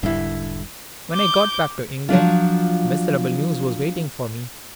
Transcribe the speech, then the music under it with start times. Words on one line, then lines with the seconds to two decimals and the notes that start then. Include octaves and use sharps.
When I got back to England, miserable news was waiting for me.
0.03 E1 G#2 D3 G3 E4
1.13 D6 G6
2.09 F3 F#3 D4 F4